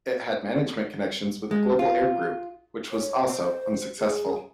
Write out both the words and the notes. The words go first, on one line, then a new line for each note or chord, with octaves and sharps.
It had management connections with Global Air Group, which was also unsuccessful.
G#3
F4
C#5
C5
G#4